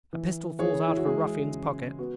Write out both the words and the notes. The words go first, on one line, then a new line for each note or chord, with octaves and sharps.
A pistol falls out of a ruffian's pocket.
E3
E3 G#4 C#5
E4
F#4
G#3 E4 G#4
C#3
B3 F#4